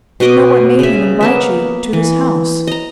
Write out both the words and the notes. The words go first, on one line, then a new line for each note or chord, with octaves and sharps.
"Do you know what made him invite you to this house?"
B2 B3 D#5 D6
C#3 E5
A#3 B3 E5
E3
D#5 A#5